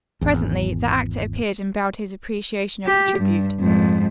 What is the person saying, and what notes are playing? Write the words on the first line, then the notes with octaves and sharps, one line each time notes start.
Presently the actor appeared and bowed his appreciation of the tribute.
G#1 E2
G4
G2
F2 G#2